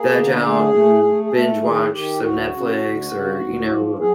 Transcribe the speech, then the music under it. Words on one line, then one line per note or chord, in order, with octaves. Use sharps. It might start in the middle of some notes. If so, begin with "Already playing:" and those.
veg out, and binge-watch some Netflix, or, you know,
Already playing: A#3 G#4
D3
A3 G#4
A3
A3
G#4
A3 A4
D#3 G#4
D#3 G4
D2 F#4
C#3
D2
C#3
D2
F3
F#3 G#4